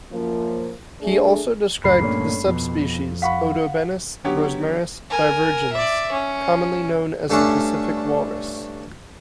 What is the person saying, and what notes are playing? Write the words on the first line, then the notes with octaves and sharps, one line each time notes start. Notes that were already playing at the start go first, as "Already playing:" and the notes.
He also described the subspecies "Odobenus rosmarus divergens", commonly known as the Pacific walrus.
F#2 F3 A#3
A3 D4 G#4
C#2 F#2 A2 B5 C7
G2 A#2 A3 C#4
F2 B2
F5 F#5 B5 C#6 B6
D3 F#3 B3 G4 C#5
A#4 G#5
D5 E5
C#4
G2 A3 C#4 D4